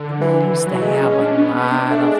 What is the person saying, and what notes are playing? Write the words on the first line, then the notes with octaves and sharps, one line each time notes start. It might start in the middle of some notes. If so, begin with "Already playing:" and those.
we used to have a lot of
Already playing: D3
E3
E3
F#3
G#3 A3
C#4
C#4
D4
C#4
B3
B3
D4
A3 D4
G#3